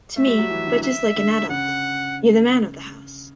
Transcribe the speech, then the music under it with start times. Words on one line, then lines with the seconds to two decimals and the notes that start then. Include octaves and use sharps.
To me, butch is like an adult...You're the man of the house.
0.16 A3 E5
0.27 G3
0.38 F#3
0.50 E3
0.67 D3
0.75 E3
0.83 E5
1.16 D3
1.49 C#3 F#5